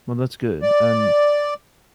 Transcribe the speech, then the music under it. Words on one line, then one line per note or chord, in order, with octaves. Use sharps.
Well, that's good. And,
D5